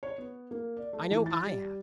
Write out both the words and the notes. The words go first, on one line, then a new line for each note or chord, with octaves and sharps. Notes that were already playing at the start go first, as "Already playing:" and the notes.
I know I have.
C#5
B3
A#3
D5
A3
E3
A6
G3